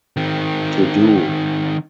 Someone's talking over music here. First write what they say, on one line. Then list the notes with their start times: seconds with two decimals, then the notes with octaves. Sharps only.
To do.
0.17 D#3 C4